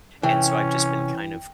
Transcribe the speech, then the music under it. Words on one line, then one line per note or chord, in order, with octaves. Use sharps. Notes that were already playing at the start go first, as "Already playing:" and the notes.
and so, I've just been kind of
C3 E3 C#4 G5